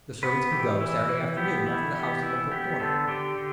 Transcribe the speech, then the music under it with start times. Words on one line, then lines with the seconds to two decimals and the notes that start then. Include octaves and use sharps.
The servants can go Saturday afternoon after the house has been put in order.
0.23 B3 B4
0.52 E3 G4
0.80 E3 E4
1.09 E3
1.37 B3 G4
1.66 E3 E4
1.94 B3 G4
2.22 E3 E4
2.51 B3 G4
2.80 D3 A4
3.08 D3 G4
3.37 D3